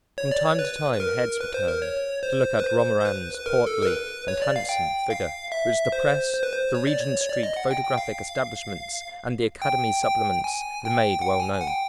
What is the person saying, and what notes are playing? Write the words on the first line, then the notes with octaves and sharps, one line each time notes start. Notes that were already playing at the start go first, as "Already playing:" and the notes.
From time to time heads were turned to look at Romarin's portly and handsome figure, which the Press, the Regent Street photographic establishments, and the Academy Supplements had made well known.
C#5
D5
C#5
B4
B4
A#4
B4
C5
A#4
C#5
C5
B4
C5
C5
B4
B4
A#4
A4
A#4
B4
C#5
D5
F5
G5
F5
E5
C5
C5
B4
C5
C#5
D5
C#5
C#5
D5
D#5
F#5
G5
G5
F5
G5
G5
G#5
G5
F#5
G5
G#5
G#5
F#5
G5